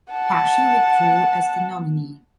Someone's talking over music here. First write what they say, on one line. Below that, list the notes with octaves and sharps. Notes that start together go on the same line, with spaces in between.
Paschen withdrew as the nominee.
F#5 A5